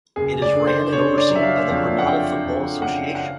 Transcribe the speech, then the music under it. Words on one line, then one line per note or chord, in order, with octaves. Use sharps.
It is ran and overseen by the Grenada Football Association.
F#1 G#4
D5
D3
C5
D3 C#5
D5
F#3
E5
F5
F2 F5
F#5
D3 G5
F2
F#1 F#5
F#5
F5